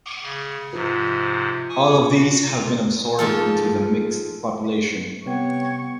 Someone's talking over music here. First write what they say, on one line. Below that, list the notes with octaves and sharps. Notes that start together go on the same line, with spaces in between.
All of these have been absorbed into the "mixed" population.
C#3
G#2 C3 F3
G#5 C#6 D#6
F#4
F4
G#2 F3 F4 A4
C3 G3 B3 C#5 F#5 G5 C#6 G#6